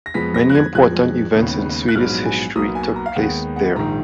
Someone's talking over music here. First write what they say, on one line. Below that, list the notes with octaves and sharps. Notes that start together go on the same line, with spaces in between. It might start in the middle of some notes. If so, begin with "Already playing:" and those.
Many important events in Swedish history took place there.
A#6
F2 F3 G#3 B3 B6
A#6
F#6
G#6
F2 F3 G#3 F#6
D#2 C#3 G#3 B3
F#6
A#1 G#2 F#3 B3 F6
G#5
B1 B2 A#3 D#6
G#5
A#5
F5
D#2 D#3 G#3 B3 F#5
F#5
A#1 G#2 D#3 A#5